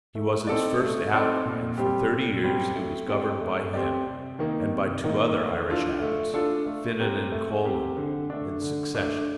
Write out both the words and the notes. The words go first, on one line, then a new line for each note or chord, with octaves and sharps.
He was its first abbot; and for thirty years it was governed by him and by two other Irish abbots, Finan and Colman, in succession.
A3
C4 D#4 A4 D5
A3
C4 D#4 A4 D5
A#2
G3 C4 G4
A#2
G3 C4 G4
A3
C4 G4 D5
A3
C4 G4 D5
C3
D#3 A#3 D#4
C3
D#3 A#3 D#4
A3
D4 F4 A4
A3
D4 F4 A4
A3
C4 G4 A#4
A3
C4 G4 A#4
D3
A3 D4
D3
A3 D4